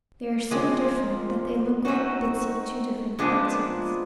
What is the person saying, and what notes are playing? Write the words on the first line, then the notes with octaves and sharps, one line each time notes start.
They are so different, that they look like bits of two different continents.
A#2 F3 G#3 C4
A3 C4 D#4 F#4
A#2 F3 G#3 B3 D4